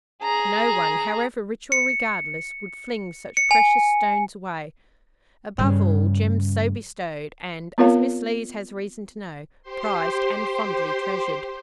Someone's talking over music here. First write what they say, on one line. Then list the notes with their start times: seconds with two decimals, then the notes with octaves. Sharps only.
No one, however rich or regardless, would fling such precious stones away; above all, gems so bestowed, and, as Miss Lees has reason to know, prized and fondly treasured.
0.23 G#4 A#5
1.72 C#7
3.37 C#7
3.51 G#5
5.58 G2 C#3
7.78 B3 C4 F4 A#4 C#5 F5
9.62 G4 C5 C6